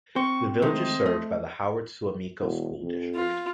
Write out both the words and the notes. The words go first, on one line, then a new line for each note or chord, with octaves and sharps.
The village is served by the Howard-Suamico School District.
C4 C5 C#6
D#3 G#3 A3 C5 D#5
A3
E1
F2
F4